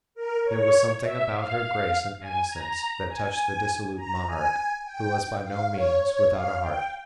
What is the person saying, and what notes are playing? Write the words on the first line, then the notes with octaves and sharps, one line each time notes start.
There was something about her grace and innocence that touched the dissolute monarch, who was by no means without a heart.
A#4
C#5
E5
F5
G#5
A#5
G#5
A#5
G#5
G5
F5
C#5
C#5
F5
G5